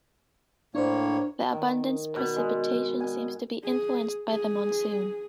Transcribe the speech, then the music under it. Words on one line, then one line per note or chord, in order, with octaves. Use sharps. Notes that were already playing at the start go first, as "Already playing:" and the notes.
The abundance precipitation seems to be influenced by the monsoon.
A2 A#3 D4 C5 C#5
D#3
B2
G#3
G#5
G#4
G#4